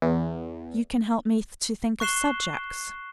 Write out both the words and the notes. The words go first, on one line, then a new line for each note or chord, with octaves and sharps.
You can help me to think of subjects.'
E2
C#6 F#6 C7 E7 G7